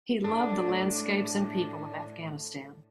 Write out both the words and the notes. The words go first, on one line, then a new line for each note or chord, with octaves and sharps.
He loved the landscapes and people of Afghanistan.
A2 D4 A4